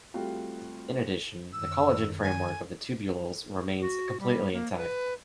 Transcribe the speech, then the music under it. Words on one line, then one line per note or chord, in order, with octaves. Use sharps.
In addition, the collagen framework of the tubules remains completely intact.
G3 A3 C4 F4 F#4
F#2 D#3 E6
G#5
F#4
G3
A#3
B4